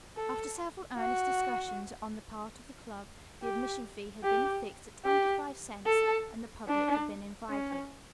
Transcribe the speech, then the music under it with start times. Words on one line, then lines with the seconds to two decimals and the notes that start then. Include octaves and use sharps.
After several earnest discussions on the part of the club, the admission fee had been fixed at twenty-five cents, and the public had been invited.
0.16 A4
0.98 F#4
3.42 G4
4.23 G4
5.05 G4
5.86 A4
6.68 D4
7.49 C#4